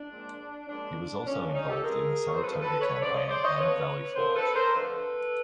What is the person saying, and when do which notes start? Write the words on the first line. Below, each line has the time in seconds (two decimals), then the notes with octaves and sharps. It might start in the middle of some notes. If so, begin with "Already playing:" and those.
He was also involved in the Saratoga campaign and Valley Forge.
Already playing: D4
0.10 A#2 F3 G#3 C4
0.67 A#2 F3 G#3 C4 D4
1.25 F2 C#3 F3 G#3 C#4
1.40 D4
1.55 C#4 D#4
1.69 G4 A4
1.84 F2 C#3 F3 G#3 G#4 A#4
2.27 C#5
2.34 C5
2.42 F2 C#3 F3 G#3 A4 B4
2.61 A4 B4
2.80 B4 C#5
3.00 F2 C#3 F3 G#3 C5 D5
3.14 C#5 D#5
3.29 C5 D5
3.43 C#5 D#5
3.57 F2 D3 F3 A3 C4 B4 C#5
4.16 F2 D3 F3 A3 C4 A#4 C5
4.35 A4 B4
4.54 A#4 C5
4.74 F2 D3 F3 A3 C4 A4 B4